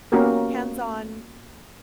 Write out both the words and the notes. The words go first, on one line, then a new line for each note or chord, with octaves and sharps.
Hands on,
A#3 B3 C#4 F#4 G4 A#4